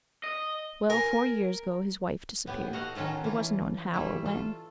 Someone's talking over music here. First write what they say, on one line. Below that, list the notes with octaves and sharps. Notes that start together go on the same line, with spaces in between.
Well, four years ago his wife disappeared--it wasn't known how or when.
D#5
A#4 G#5
A2 B3 G4 G#5
F#4 A4 D#5 F5 F#5
D#3 F#3 C#4 F4 A4
E3 F4
E3 G3 A3 E4
F4 A4